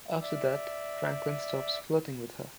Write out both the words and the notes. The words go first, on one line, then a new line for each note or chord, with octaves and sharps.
After that, Franklin stops flirting with her.
D5 E5